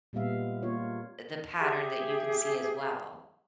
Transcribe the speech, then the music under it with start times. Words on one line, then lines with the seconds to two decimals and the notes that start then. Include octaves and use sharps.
the pattern that you can see as well,
0.13 A#2 G3 G#3 B3 E5 F5
0.62 A#3 F4 C#5
1.59 G4 G#4 E5